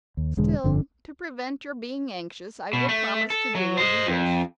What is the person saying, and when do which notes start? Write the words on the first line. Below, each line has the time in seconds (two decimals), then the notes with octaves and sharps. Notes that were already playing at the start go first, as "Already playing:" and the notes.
Still, to prevent your being anxious I will promise to do as you wish.'
0.17 D#2
0.37 E1 D3 G#3
0.64 G1 F2 D3
2.73 B2
2.89 A3
3.30 A4
3.55 F#3
3.77 C5 D#5
4.07 F2